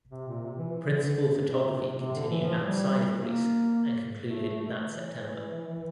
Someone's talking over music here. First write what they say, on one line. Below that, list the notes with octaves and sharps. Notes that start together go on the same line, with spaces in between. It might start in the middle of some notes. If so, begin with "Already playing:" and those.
Principal photography continued outside of Greece and concluded that September.
C3
A#2
C3
E3
E3
D3
C3
C3
D3
E3
F3
G3
A#3
A3
A3
A3
E3